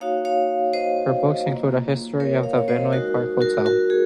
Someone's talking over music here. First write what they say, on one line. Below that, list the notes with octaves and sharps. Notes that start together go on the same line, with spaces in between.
Her books include a history of the Vinoy Park Hotel.
A#3 D#4 F#4 C#5 F5
C#5 F5
C5 D#5
A#3 F4
A#4 C#5
C#5 F5
C#5
C5 D#5
G#3 D#4 F#4 A#4
F#4 A#4
F#4 A#4
G#4